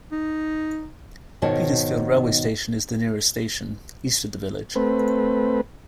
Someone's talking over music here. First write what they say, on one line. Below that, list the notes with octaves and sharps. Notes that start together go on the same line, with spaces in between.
Petersfield railway station is the nearest station, east of the village.
D#4
G#2 B2 D#3 C#5 A5
A3 C4 B4